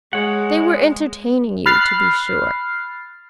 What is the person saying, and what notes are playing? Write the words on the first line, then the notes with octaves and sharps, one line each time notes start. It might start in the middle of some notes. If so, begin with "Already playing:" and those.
They were entertaining you, to be sure.
G#3 C#5 F#5
B5 F6 F#6 A6 C7